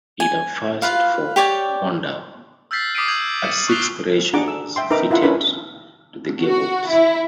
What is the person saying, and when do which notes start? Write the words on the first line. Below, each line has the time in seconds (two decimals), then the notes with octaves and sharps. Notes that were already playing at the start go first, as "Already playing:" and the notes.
In a first for Honda, a sixth ratio was fitted to the gearbox.
0.20 G#5
0.82 F4 B4 F5
1.36 G4 C#5 D5 G5
2.71 E6 F6 G6 A6 B6 C7
2.95 D6 D#6 B6 C7 D7 D#7
3.08 D#6 F6 G6 G#6 F#7
3.42 B6 C#7 E7
3.68 C#6 F#6 B6 C7 F7 G7
4.33 D4 G#4 F#5 A#5 D6
4.48 E6
4.76 E5 G5 C6
4.90 D#4 A#4 B4 E5 A#5 D6
5.10 E4 F4 E5 F#5 B5
5.23 C#4 D4 E4 A#4 B4 B5
6.43 F#4
6.90 E4